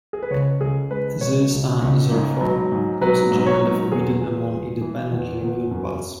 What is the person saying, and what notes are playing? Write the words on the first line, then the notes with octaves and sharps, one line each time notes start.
These are therefore also generally forbidden among independently moving parts.
G#4
B4
C#2 C#5
C#2 G#4
G#3 B4
B2 C#5
C#2
C#2
G#2
F#3
G#2
F#3 B4
G#2
C#5
F#3
E2 G#4
E2
G#3
E3
E2
E2
F#2